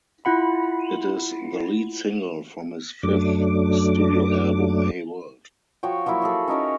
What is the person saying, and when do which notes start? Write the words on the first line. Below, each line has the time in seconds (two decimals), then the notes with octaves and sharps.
It is the lead single from his fifth studio album "Hey World".
0.25 E4 F4 F#5 B5
3.03 F#2 F#3 A3 D4 D6
5.83 F3 F#4 C#5 G5
6.06 F3 F#3 A#3 E4
6.22 F#4 G#4 A4
6.48 C#4 D#4 A#4 C#5